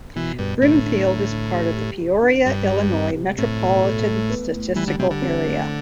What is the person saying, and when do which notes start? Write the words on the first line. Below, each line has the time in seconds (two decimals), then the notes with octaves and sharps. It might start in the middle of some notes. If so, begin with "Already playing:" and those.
Brimfield is part of the Peoria, Illinois Metropolitan Statistical Area.
0.16 B2 E3
0.39 G2 B3
0.62 A2 D3
0.86 D3
1.08 D3
1.31 D3
1.54 G4
1.77 G4
2.00 C3
2.23 D4
2.46 G2 G4
2.69 G4
2.93 C4
3.15 C3
3.38 A2 C4
3.61 B2
3.84 A4
4.07 A3
4.30 B3
4.53 A2
4.76 E3 G3
4.88 D3
4.99 C3 G3
5.11 D3
5.22 C4
5.45 A3